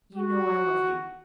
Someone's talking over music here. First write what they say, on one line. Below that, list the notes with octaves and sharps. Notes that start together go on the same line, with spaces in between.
"You know I love you."
F#4